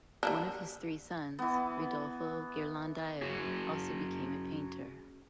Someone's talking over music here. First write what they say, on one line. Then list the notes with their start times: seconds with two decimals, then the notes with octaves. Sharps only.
One of his three sons, Ridolfo Ghirlandaio, also became a painter.
0.23 G3 A#3 D4
1.39 E3 B3
3.22 C#4 F#4 G#4